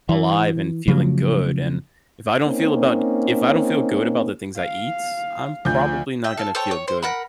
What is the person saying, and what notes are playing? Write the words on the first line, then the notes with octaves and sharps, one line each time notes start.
alive and feeling good, and if I don't feel about if I don't feel good about the things I eat, I'm probably not gonna feel good
E3
C#3 F3 F#3 A3
A#3 C4 C#4 D#4
F5
D2 F3 G6
E5 G5
A4 F5
A4 C5 C#5 G5
C#5
C5
A#4 F#5 B5